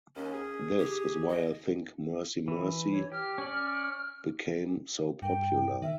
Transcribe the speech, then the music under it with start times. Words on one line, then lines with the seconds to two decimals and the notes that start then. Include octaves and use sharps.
This is why I think 'Mercy, Mercy' became so popular.
0.16 D#2 C#4
0.33 G#4
0.79 G4
1.29 D#5
2.48 E3
2.92 C#5
3.12 G4 F6
3.38 C#4 D5
5.22 G2 G5
5.82 D#3 E5